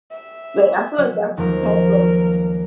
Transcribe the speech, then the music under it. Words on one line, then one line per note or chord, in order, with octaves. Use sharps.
But I feel like that's the type of
E5
F#3 F#4
D#2 F3 G3 A#4